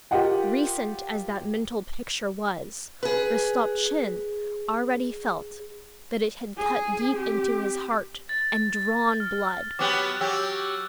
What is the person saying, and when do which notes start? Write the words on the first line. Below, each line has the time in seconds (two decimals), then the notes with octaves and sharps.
Recent as that mental picture was, Rostopchin already felt that it had cut deep into his heart and drawn blood.
0.11 F4 G4 A#4 D#5 F#5 G5
3.03 G#4 B4
6.57 G#4 G#5
7.16 C4 G4
8.29 A6
9.20 F6
9.79 F#3 B3 G4 D6 F#6
10.21 F#3 G4 E6